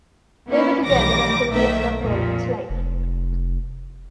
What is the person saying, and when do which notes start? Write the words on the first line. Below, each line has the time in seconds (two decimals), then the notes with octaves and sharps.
They were together until the end of Roland's life.
0.50 A#3 B3 C#4 D#4 E4
0.85 B1 D#3 E3 G3 D6 A#6
1.50 B1 D#3 A3 E5
2.01 F2 A#2 F3
2.70 F1